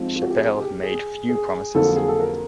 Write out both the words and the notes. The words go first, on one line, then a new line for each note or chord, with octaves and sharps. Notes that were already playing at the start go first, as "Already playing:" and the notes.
Chapel made few promises.
Already playing: G#2 F3 G#3 C4
F4
F#4
G4
G#4
G4
G#4
G#4
F2 D3 F#3 A#3 A4
G#4
A4
A#4